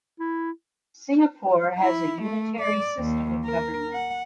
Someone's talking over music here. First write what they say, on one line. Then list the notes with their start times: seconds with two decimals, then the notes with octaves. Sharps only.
Singapore has a unitary system of government.
0.20 E4
1.78 E4
2.22 A3
2.60 D5
2.99 D#2
3.45 A#4
3.93 F#5